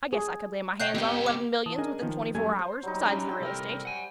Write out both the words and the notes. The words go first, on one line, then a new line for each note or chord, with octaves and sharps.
I guess I could lay my hands on eleven millions within twenty-four hours, besides the real estate.
G#4
C#5 D#5 G5 F#6 G6 C7
B3 C4 D#4 G4
D6
E3 A5 D#6
C#4 D4 G#4 A#4 D#5 G#5
D#3 F3
F#2 G3 A3 G#5 G#6
C5
F#3 G3 D#4
C#4 D4 A#5
G4 E5 G5
C2 A4 A#4
F#5 G#5